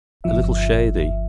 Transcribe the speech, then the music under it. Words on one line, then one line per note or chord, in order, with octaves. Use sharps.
A little shady.
G1 F3 E5